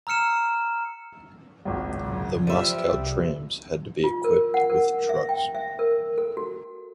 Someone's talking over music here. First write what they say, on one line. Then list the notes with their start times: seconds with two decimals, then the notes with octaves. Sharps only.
The Moscow trams had to be equipped with trucks.
0.07 A#5 E6 F6 C#7 E7
1.65 G#1 C#2
2.02 F#2 C#3
2.47 F3 G3 E5 D#7
2.87 C2
4.04 F4
4.24 A#4
4.54 F#5
4.70 A#4
5.09 E5
5.29 G5
5.55 E5
5.79 A#4
6.18 A4
6.37 F#4